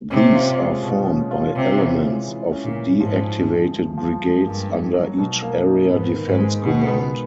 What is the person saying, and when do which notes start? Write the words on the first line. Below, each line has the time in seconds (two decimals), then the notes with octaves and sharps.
These are formed by elements of de-activated brigades under each area defense command.
0.10 C3 C#4
0.35 F4
0.59 G#3
0.83 B2
1.07 C#4
1.31 F4
1.55 C3 C#4
1.80 E3
2.03 G#3
2.28 E3
2.52 C#4
2.64 A#2
2.76 E3
3.00 G#2 F3
3.25 G#3
3.49 D3
3.73 G2
3.97 F3
4.22 G#3
4.45 G2 A#3
4.70 D#4
4.94 F#3
5.18 B2
5.42 A#3
5.67 D#4
5.90 G#2 B3
6.15 D#3
6.27 G#2
6.39 G#3
6.63 B2 D#3
6.88 B3